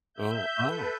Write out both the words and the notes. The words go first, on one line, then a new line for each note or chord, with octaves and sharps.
Oh. Oh.
E5 G6
A4 B4